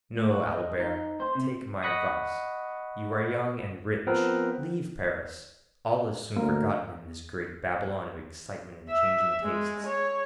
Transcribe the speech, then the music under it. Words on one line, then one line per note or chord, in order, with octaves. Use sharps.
No, Albert, take my advice. You are young and rich--leave Paris--all is soon forgotten in this great Babylon of excitement and changing tastes.
A2
F#4
D#5
D#4
C5
C3
D#5 F#5 B5 C#6 D#6
F3 B3 C4 A#4 B4
D2 A#3 A#4
E5
G#3
C#5